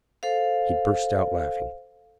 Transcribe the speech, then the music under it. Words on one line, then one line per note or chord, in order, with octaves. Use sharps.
He burst out laughing.
A4 C5 F5